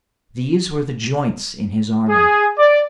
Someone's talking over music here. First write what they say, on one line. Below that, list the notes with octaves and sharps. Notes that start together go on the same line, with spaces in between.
These were the joints in his armor.
G#4
D5